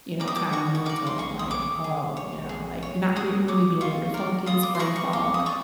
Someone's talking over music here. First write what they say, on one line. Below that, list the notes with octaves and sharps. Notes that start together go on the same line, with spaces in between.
you know, kinda mental, like, oh, you know, like, not be really being able to focus, brain fog,
A#4 D5 D6
D#6
D6
F#4 C#6
C#6
A#4 D5 D6
C6
G#4 C#6
D#6
C#5 D6
G#4
C#5
G#4
C#5
G#4 D#6
C#5 D6
F4 C#6
A#4 D5
F4 D#6
D6
C6
A#4 D5 C#6
C#6
F4 D6
D#6
D5 C#6